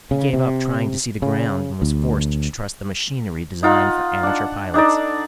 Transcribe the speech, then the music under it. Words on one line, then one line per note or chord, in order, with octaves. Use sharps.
He gave up trying to see the ground and was forced to trust the machinery designed for amateur pilots.
C#3
C3
C#3
D2
D#4 F4 F#5
D4 F#5
D4 D#4 A4 D5